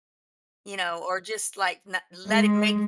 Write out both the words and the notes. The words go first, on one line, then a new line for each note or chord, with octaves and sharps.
you know, or just, like, na letti maki
G#3